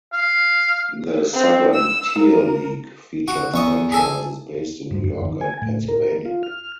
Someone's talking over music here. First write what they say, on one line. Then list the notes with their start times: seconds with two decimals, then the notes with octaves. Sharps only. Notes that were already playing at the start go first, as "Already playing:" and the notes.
The Southern Tier League featured franchises based in New York and Pennsylvania.
0.13 F5
1.33 C4
1.74 E6
2.18 A#4
3.28 F#4
3.54 E2 C#6 D#6
3.92 G#4 A4 G#5
4.91 G2
5.04 F#2
5.25 D#3
5.41 G#5
5.62 A2
5.88 A#4
6.25 F4
6.43 F6